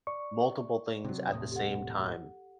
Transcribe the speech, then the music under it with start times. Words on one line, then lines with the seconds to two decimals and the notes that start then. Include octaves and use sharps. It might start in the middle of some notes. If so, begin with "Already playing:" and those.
multiple things at the same time,
0.07 D5 C#6
1.04 C3 F#3
1.32 E1 A2 C3 D#6
1.52 G4 A4 F#5